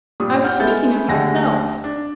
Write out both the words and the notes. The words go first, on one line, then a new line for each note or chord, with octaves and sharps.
"I was speaking of myself."
G2 A#2 G3 D#6
F#5 F6 G6
G#3 B3 E4 A4 G6 A6
D#2 D3 A3 G#4 F#5 A#6
D4